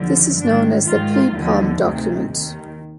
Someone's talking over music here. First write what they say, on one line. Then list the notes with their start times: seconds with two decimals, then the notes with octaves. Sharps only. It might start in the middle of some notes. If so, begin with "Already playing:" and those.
This is known as the Paypom document.
Already playing: D#2 D3 F3
0.39 G#2 D#3 D4
0.86 G#2 D#3 F4
1.35 D#2 D3 F3
1.81 D2 C3 D#3
2.28 D#2 D#3